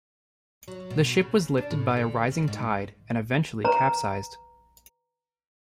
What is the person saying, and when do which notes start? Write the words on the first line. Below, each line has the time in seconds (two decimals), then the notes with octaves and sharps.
The ship was lifted by a rising tide and eventually capsized.
0.68 F#3
0.90 B2
1.21 C#3
1.58 D4
1.70 A2
1.97 D3
2.31 C#3
2.48 G#2
3.65 B4 A#5